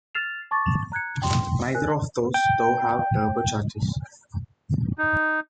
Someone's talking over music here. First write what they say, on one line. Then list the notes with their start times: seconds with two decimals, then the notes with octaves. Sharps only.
Neither of those, though, have turbochargers.
0.15 F6 A6 C7 E7 F7
0.51 A5 C#6 D6 A6
0.92 A#5 F#6 G#6 C#7
1.22 G5 C6
1.75 A#4 G#5 F#6
2.34 G5
4.98 D#4